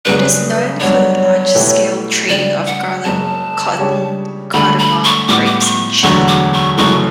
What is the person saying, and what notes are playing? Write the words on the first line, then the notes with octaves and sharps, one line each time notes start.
It is known for the large-scale trading of garlic, cotton, cardamom, grapes and chilli.
F#2 C#3 G3 D4 B4
G2 F#3 B3 D4 C#5
B2 A3 E4 G4 B4
C#3 G3 D4 G4 D5
F#5
F#1 F#2 C#3 A5
C#3 G3 D4 G4 C#5
G2 D3 A3 B5
B5
C#6
A2 G3 B3 D6
D6
D6
C#6
E1 D2 D3 F#3 C#6
D6
C#6
F#1 F#2 E3 A3 C#6